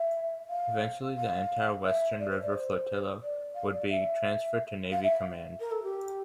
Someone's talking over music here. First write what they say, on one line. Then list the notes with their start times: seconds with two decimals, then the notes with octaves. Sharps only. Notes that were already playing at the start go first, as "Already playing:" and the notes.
Eventually the entire western river flotilla would be transferred to Navy command.
Already playing: E5
0.49 F5
1.17 F5
1.85 E5
2.19 D5
2.30 C5
2.42 D5
2.53 C5
3.21 D5
3.55 F5
3.73 D5
3.89 E5
4.92 F5
5.04 E5
5.60 A#4
5.71 A4
5.83 G4